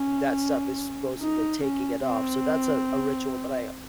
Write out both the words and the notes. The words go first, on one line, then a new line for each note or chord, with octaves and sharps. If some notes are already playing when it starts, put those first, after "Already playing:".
that stuff is supposedly taking it off, so that's a a ritual that I
Already playing: C#4
D#4
C#4
C4